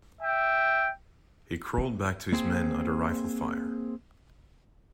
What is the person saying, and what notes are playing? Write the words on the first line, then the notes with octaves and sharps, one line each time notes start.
He crawled back to his men under rifle fire.
E5 G5
A#3 C4 G#4 C5 G5